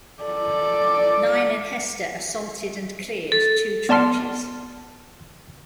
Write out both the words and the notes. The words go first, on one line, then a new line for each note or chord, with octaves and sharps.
Nein and Hester assaulted and cleared two trenches.
A4 D5
A4
B3 D5 A5 C6 F6